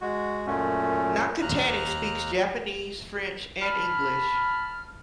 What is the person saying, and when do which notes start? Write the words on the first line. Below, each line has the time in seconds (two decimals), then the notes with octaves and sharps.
Nakatani speaks Japanese, French, and English.
0.01 G#3 F#4
0.46 F#2 A#2 A3 C#4
1.42 D#2 A#5 F6 F#6
3.61 A5 B5 F6